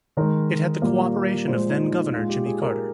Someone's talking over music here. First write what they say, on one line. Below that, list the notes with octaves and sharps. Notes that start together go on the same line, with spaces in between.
It had the cooperation of then-Governor Jimmy Carter.
D#3 G#3 A#4
A#2 G3 A#3
A#2 F3 G#3 C5
D#4
D#4
A#2 G#3 F4
G4
G#4
A#4